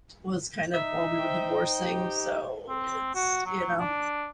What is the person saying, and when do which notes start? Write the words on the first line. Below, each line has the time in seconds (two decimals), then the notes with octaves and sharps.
was kind of while we were divorcing. So it's, you know.
0.74 D#4 E5
1.15 C5 G5
1.82 G4
2.69 C4
3.15 F#4
3.46 F#3
3.79 D4